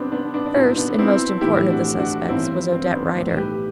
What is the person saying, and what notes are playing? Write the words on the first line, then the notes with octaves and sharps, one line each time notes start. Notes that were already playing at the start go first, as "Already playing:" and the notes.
First and most important of the suspects was Odette Rider.
Already playing: C2 C3 F#3 B3 C4 D4
B3 D4
B3 D4
D4
C2 B2 F#3 C4 E4
B3 D4
C4 E4
B1 A2 E3 E4 G4
D4 F#4
D4 F#4
G1 G2 E3 C4 E4
C4
B3 D4
B1 A2 E3
G4 B4